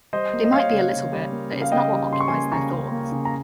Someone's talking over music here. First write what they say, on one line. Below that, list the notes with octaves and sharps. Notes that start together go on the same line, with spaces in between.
They might be a little bit, but it's not what occupies their thoughts.
G3 C5 D#5
A#3
D#5
A#3 C#5 F5
C#3
C#3
G3
A#3
C#3
F5
C#3 D#5 G5
G3
C#3 C6
C#6
A#3 G#5 C6
C#3 A#5 C#6
C#3
A#3
C#3
A#5